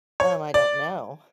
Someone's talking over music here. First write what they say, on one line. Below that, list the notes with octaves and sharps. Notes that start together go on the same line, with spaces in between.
Um, I don't know.
C#5
D5